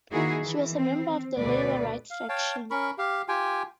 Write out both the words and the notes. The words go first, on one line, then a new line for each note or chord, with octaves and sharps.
She was a member of the Labor Right faction.
D#3 A#3 D#4 E4 F#4 G#4
D#3 E3
C4
D2 B2 A3 B4 D5
F5
C#5 F5 G5 A5
C#4 A#4 B5 C#6
G4 F5
F4 G4 G5 G#5